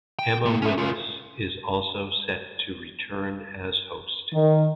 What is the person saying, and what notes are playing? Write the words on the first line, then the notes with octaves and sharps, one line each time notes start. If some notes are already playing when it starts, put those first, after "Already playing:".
Emma Willis is also set to return as host.
G5
A2 A#3
C#4 E5
C#4 F4
D#3